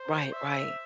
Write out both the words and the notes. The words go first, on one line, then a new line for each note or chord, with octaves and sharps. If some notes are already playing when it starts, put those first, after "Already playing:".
Right, right.
Already playing: C5
E5